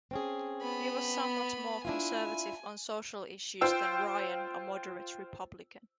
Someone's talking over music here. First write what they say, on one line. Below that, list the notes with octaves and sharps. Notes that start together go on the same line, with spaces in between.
He was somewhat more conservative on social issues than Ryan, a moderate Republican.
C4 C#4 G#4
B3 B5
D4 E4 F4 G#5
F4 C5 G5 E6